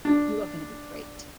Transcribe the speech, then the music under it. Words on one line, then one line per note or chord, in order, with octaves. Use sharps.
You are going to be great.
D4